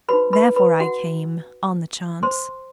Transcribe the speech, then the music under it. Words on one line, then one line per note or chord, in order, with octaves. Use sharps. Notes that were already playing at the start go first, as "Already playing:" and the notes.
Therefore I came--on the chance.
D#4 F#4 B4 C5 B5
B4 B5
B4 B5
F#4 F#5
C5 C6